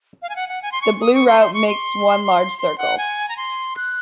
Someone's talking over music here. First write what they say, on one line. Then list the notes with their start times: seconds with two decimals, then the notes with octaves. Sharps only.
The Blue Route makes one large circle.
0.22 F5
0.29 G#5
0.36 F#5
0.49 F#5
0.62 G#5
0.72 C6
0.82 C#6
1.01 D#6
1.14 C#6
1.27 C6
1.41 C6
1.54 C#6
1.67 C6
2.58 C6
2.78 F#5
2.98 G#5
3.29 A#5
3.37 C6
3.76 F#6